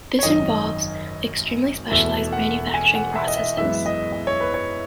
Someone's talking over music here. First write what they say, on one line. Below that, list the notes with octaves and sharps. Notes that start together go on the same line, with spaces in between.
This involves extremely specialized manufacturing processes.
C#5
G#1 F#2 D#3 D#5
E1 E2 B2 A3 E5
F#5
G#5
F#5
E5
D#5
E5
F#2 E3 G#3 B3 E5
D#5
D#5
C#5
B4
C#5